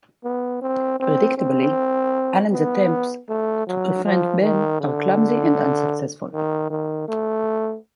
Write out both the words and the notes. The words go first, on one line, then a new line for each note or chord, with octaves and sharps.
Predictably, Alan's attempts to befriend Ben are clumsy and unsuccessful.
B3
C4
C4
C4
B3
A3
F#3
F3
D#3
D3
D#3
D#3
A3